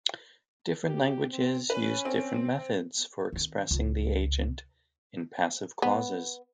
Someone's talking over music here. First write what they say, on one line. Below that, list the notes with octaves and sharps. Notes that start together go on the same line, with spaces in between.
Different languages use different methods for expressing the agent in passive clauses.
G4
C4
C#4 B4
C4
D#3 C4
C#2
B3